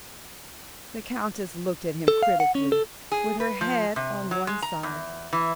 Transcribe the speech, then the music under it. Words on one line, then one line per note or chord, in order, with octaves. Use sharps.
The Countess looked at him critically with her head on one side.
A4
F5
F#5
C#4
A4
G#4
B4
F3
C3
F#3
G#3
A#5
E2
E3